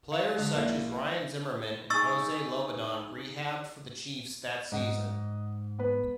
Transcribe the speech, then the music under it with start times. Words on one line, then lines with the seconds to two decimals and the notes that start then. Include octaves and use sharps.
Players such as Ryan Zimmerman and Jose Lobaton rehabbed for the Chiefs that season.
0.12 F5
0.38 D3 G#3
0.53 A#1 A#3 E4
1.90 D#4 G#4 C#6 E6 A6
4.72 G#2 D#5 F#5
5.79 B3 B4